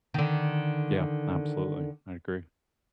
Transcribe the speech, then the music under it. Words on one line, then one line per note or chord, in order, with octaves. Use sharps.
Yeah, absolutely, I agree.
D3 D#3